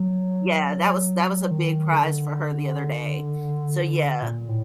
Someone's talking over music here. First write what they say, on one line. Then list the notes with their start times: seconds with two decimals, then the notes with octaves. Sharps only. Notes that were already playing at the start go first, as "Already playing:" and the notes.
yeah, that was that was a big prize for her the other day. So yeah.
Already playing: F#3
1.51 D#3
1.92 D3
4.22 A#2
4.49 A2